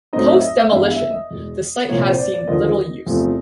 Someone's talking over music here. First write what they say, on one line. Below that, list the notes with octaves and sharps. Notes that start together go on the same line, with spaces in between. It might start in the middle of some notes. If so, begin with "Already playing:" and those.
Post-demolition, the site has seen little use.
A2 F#3 A3 C4 D#4 D#5
E5
D#5
E5
G2 E3 G3 B3 F5
F5
E5
D#5
E2 B2 G#3
C2 A#2 F3 A#3 C#5
C5
D5
D5
D#2 D3 F3 D#5
E2 C3 F3 A3